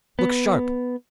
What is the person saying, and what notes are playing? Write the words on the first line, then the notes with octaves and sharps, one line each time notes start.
Look sharp!
B3